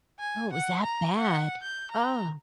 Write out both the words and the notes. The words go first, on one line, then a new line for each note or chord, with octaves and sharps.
Oh, it was that bad? Oh.
G#5
F#5
A#5
F#5
G6
A#5